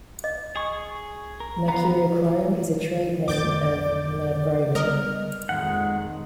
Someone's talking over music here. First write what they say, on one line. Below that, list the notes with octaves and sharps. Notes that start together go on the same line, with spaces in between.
Mercurochrome is a trade name of merbromin.
D#5
G#4 C#6
A#4
B3 F5 A#5
B1 F2 A3 D6 G6 A6
G3 B3 A#4 D#5 F6
F2 A#2 D#3 G#3 F#5